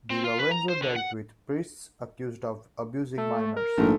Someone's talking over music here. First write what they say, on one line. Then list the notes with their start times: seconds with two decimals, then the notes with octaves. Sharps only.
DiLorenzo dealt with priests accused of abusing minors.
0.10 C4
0.24 F4
0.39 B4
0.51 A#5
0.69 C5
0.83 D3
0.96 F#5
3.18 A3
3.57 A#4
3.78 A#1 G#2 A3